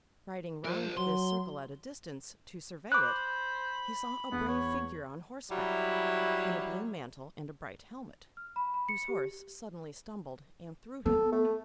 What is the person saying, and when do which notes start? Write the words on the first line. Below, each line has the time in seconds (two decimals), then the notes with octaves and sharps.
Riding round this circle at a distance, to survey it, he saw a brave figure on horseback, in a blue mantle and a bright helmet, whose horse suddenly stumbled and threw him.
0.65 F3 A#4 C5
0.97 F#3 C6
2.92 C5 B5 D6 F#6
4.32 E2 B3
4.48 C#5
5.50 F#3 G3 E4
8.37 F6
8.56 B5
8.74 B5
8.89 C#7
9.08 G4
11.06 B3 A4
11.32 A3